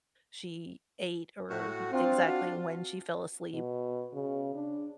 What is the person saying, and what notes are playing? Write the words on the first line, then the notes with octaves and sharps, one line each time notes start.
she ate or exactly when she fell asleep
A2 F#4
C4 D4 F4
F#4
B2
C#3
D4